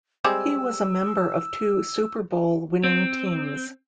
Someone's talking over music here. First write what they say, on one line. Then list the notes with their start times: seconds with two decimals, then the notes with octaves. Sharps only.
He was a member of two Super Bowl-winning teams.
0.24 G3 G#3 C4 E6
2.84 C4